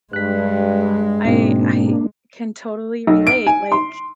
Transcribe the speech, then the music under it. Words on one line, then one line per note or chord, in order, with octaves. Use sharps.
I I can totally relate like
G2 G#3 F#6 B6
G#2 B2 A#3 C4 D4
B1
D7
G#5
C6